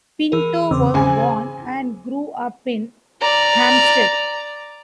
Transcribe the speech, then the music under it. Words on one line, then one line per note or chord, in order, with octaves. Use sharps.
Pinto was born and grew up in Hampstead.
E3 G#4 A#4
E2 C#3 C4 C6 D6 E6
C#3 C5 G#5
D5 A#5